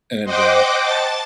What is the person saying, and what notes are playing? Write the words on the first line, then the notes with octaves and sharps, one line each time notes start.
And, um
C5 D#5 F#5 G5 D6
A5 A6